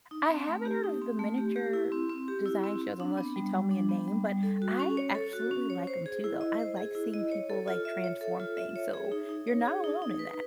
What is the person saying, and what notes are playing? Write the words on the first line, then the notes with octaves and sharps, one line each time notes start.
I haven't heard of the miniature design shows, unless you tell me a name, but, I absolutely like 'em too though. I like seeing people, like, transform things, so, you're not alone in that.
D#4
C4
A3
G4
D#4
C4
A3
G4
G4
E4
C4
C4
G4
E4
C4
C4
D4
B3
G3
G3
D4
B3
G3
G3
A4
F#4
C#4
C#5
A4
F#4
C#4
C#5
C5
G#4
E4
D#5
C5
G#4
E4
D#5
C#5
A4
F4
E5
C#5
A4
F4
E5
C#5
G#4
D#4
D#4
C#5
G#4
D#4
D#4
B4